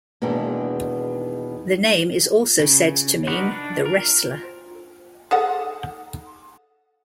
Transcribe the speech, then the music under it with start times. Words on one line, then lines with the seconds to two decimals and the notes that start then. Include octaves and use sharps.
The name is also said to mean "the wrestler".
0.22 E2 B2 D#3 G#3 A#3 D4
2.59 C#3
3.27 D4 D#4 F#4 A#4 B4
3.51 D4
3.86 A#4
5.31 G#4 A4 F#5